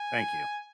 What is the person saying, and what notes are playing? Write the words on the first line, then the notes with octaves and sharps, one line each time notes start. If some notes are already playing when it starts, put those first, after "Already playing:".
Thank you.
Already playing: G#5